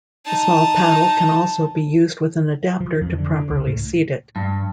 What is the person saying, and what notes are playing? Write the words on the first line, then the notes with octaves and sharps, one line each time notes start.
The small paddle can also be used with an adapter to properly seat it.
D#4 A5
F3
F2
D3
D3
C#2
A2
G2